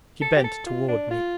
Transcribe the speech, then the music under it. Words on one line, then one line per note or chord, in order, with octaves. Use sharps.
She bent toward me.
A4
G4
A4
F4
D4
F4